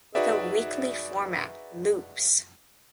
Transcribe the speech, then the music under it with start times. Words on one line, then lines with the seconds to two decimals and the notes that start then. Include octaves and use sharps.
With a weekly format, “Loops”!
0.15 D#4 F#4 G#4 B4 D5 E5